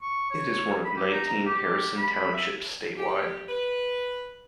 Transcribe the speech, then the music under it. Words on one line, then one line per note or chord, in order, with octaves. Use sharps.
It is one of nineteen Harrison Townships statewide.
C#6
C#5
B5
G4
D#4
A#5
G4
B5
E5
G4
B4